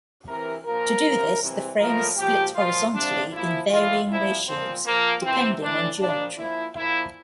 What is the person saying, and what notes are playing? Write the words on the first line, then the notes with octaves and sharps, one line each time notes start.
To do this, the frame is split horizontally in varying ratios depending on geometry.
C3 E3 A#4
A#2 F3 A#4
C3 F3
C3 E3
A2 F3 A#4
A#2 F3 G4
A#2 F3 F4
C3 F3 D4
A#2 F3 E4
A2 E3 F4
C3 F3 E4
A#2 F3 C4
A#2 F3 A#3
C3 E3 C4
A2 E3 D4
A#2 F3 D4
A#2 F3 E4
A#2 F3 E4